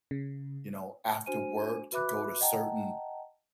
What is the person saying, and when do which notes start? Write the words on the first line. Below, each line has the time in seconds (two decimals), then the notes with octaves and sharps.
you know, after work to go to certain
0.11 C#3
1.26 D4 F#4 C5 G#5 D#7
1.92 F#4 B4 E5 B5 D6 F#6
2.40 D#5 F#5 G5 A5 A#5